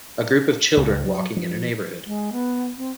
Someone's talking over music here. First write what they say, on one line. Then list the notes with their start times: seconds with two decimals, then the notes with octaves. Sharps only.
A group of children walking in a neighborhood.
0.77 C#2
1.04 F#3
1.37 F3
2.06 G#3
2.32 B3
2.77 C4